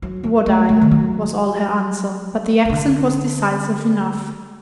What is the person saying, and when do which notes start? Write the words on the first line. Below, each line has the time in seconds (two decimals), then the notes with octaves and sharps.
"Would I!" was all her answer; but the accent was decisive enough.
0.02 F#3
0.23 F#3
0.46 A3
0.69 A3
0.81 D#3
0.91 F#3
2.65 D#3
2.70 D3